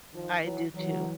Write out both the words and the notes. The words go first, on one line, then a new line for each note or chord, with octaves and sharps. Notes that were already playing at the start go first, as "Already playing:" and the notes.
I do too.
D#3 F3
E3 F#3
E3 F#3